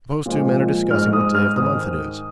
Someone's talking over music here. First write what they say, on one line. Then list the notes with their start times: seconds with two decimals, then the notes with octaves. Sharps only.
Suppose two men are discussing what day of the month it is.
0.26 A#2 F3 G#3
0.91 G#2 G#3 F6
1.13 D#6
1.35 F6
1.56 G#2 D#3 G#3 D#6